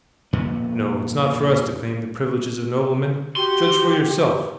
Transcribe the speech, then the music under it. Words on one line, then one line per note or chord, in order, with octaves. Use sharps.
No, it's not for us to claim the privileges of noblemen. Judge for yourself.
F2 A#2 B3
F#4 G4 C6